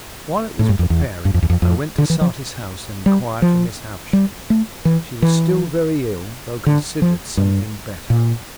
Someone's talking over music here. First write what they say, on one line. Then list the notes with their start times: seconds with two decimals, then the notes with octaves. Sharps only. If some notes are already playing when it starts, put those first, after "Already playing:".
While it was preparing, I went to Satis House and inquired for Miss Havisham; she was still very ill, though considered something better.
0.59 A2
0.69 G2
0.79 F2
0.90 E2
1.25 G2
1.34 F2
1.43 E2
1.50 F2
1.62 F2
1.98 D3
2.10 E3
2.21 F3
3.06 G3
3.42 F3
4.13 G3
4.50 A3
4.85 E3
5.22 E3
6.66 D3
7.02 F3
7.37 G2
8.10 A#2